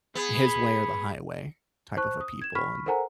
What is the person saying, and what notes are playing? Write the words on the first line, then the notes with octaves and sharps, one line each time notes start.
his way or the highway, type of a people, and
B3 G#4
C5 A5 C#6 F#6
D#6
G#6 E7
B5 C#6 F6 B6
A4 A#4 C5 F#5 G#5 A#5